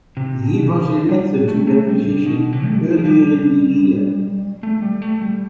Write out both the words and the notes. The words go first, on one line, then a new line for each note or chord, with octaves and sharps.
He was elected to that position earlier in the year.
C3
B2
F3
G3
A3
G3
A3
G3
B2
C3
A3
G3
F3
F3
G3
A3
G3
A3
G3